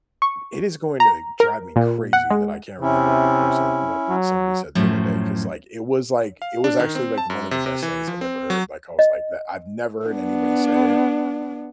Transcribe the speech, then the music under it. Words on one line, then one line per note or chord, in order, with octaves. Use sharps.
It is going to drive me crazy that I can't remember the person what somebody said the other day, 'cause like it was like it was actually like one of the best things I've ever heard, like, I was like that I've never heard anybody say it
C#6
A#5
A#4
A#2
F#5
G#3
C3 C#4 E4
F#3
F#2 A2 F3 F#3
F5
D4
D#3
C4
A5
F#2
C3
C3
E3
F3
C4
F#3
D#5
B3 D4